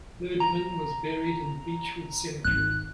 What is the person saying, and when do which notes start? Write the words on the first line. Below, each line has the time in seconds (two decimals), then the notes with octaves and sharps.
Hurdman was buried in Beechwood Cemetery.
0.40 A#5
2.45 G#1 D#3 F#6